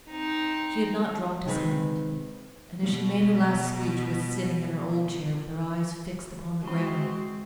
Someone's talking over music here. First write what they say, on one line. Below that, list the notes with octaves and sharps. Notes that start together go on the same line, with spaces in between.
She had not dropped his hand, and as she made her last speech was sitting in her old chair with her eyes fixed upon the ground.
C4 D#4
C3 D#3 G#3 C4 B4
B2 G3
G#3 C4 F#4